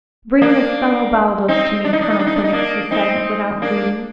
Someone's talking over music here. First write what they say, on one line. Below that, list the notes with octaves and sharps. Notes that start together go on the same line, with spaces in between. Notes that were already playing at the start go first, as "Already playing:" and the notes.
"Bring this fellow Baldos to me, Colonel Quinnox," he said, without greeting.
A#3 D4
C4 D#4
D4
D#4
D4
D#4
D4
D#4
D4
D#4
A#3 D4
C4 D#4
A#3 D4